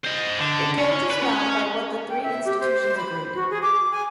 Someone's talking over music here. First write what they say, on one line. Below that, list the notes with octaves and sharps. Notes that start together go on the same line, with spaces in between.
The Doge was bound by what the three institutions agreed.
C5 D#5
D3
C#4
B4 B5
C#4
G5
E5
G4
C5
C5
B5
F#4
G#4
D6
G#5